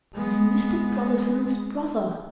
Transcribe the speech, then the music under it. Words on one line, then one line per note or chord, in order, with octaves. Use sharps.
"As Mr. Brotherson's brother."
G#3 B3